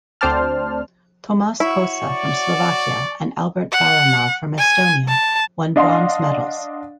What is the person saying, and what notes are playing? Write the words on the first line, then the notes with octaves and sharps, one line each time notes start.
Tomas Kosa from Slovakia and Albert Baranov from Estonia won bronze medals.
D2 C4 C5 D5 A5 F6
E4 F#4 C#5 C#6
D5
F#5
G#5
A5
D4 D#5 F5 F#5 C6